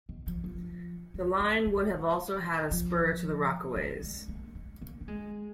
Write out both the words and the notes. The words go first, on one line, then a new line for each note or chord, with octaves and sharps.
The line would have also had a spur to the Rockaways.
D#3
F3
F3
G3
A#3
G#3
F3
G3
G#3
A#3
G#3
A#3
A#3
G#3